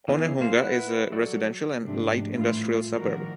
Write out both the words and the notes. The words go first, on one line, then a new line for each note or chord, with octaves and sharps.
Onehunga is a residential and light-industrial suburb.
E3 B3 D#4 E4 G#4
A#3 C5
E4 B4 F#5 B5 F#6
F#3 A4 D5
G#2 C3 F3 A3 D4
A2 E3 G3 A3 E4 F4
D#3 F3 G3 F#4 A#4